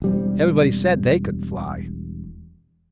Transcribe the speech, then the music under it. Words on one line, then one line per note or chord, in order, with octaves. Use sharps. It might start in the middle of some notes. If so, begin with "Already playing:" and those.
Everybody said they could fly.
E1 G3 C4